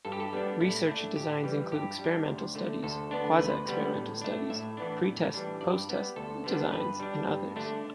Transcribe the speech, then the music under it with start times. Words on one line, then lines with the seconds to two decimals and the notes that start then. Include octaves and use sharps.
Research designs include experimental studies, quasi-experimental studies, pretest-postest designs, and others.
0.05 G2 A4
0.12 G4
0.20 A4
0.33 G3 B3 D4
0.61 A2 E4
0.89 A3 D4
1.16 A2 G4
1.44 E3 G3
1.72 G2 G4
1.99 G3
2.04 D4
2.27 D2
2.55 D3 A3
2.83 D2 A4
3.11 D3 B3 D4
3.39 D2 B4
3.67 D3 G3 B3
3.94 A2
4.22 A3 D4
4.50 A2 E5
4.77 E3 B3 D4
5.05 A2
5.34 E3 G3 D4
5.61 G2 D5
5.89 G3 B3
6.16 D2 A4
6.44 D3 G3 B3 D4
6.72 G2 B4
7.00 G3 D4
7.28 G2
7.56 D3 A3 D4